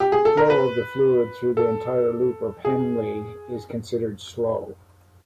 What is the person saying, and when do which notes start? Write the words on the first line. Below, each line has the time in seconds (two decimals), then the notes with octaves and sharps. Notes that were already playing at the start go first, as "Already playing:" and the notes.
Flow of the fluid through the entire loop of Henle is considered slow.
0.00 G4
0.12 G#4
0.25 A4
0.37 A#4
0.50 B4
1.57 A4
2.65 G#4